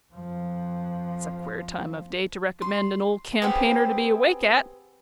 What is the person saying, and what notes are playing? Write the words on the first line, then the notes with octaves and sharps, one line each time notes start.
That's a queer time of day to recommend an old campaigner to be awake at!
F2 F3
C6
B3 C4 G4 G#4